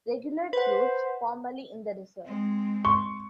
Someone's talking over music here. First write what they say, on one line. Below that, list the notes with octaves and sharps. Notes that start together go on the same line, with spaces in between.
Regular troops, formerly in the Reserve.
B4 C5 F#5
G#3 C4
C6 C#6